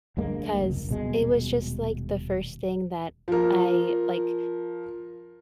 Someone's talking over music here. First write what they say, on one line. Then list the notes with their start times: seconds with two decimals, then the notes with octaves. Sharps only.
'cause it was just, like, the first thing that I like,
0.17 D2 G2 G#3 A#3
0.59 F1 C#2
0.89 D#1 B2 G#3
3.28 F3 A#4